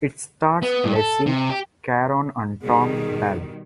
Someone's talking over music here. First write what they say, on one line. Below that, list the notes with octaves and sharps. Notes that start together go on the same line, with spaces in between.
It stars Leslie Caron and Tom Bell.
B3
G2
A4
C3
G4
B2 D#3 G3 G#4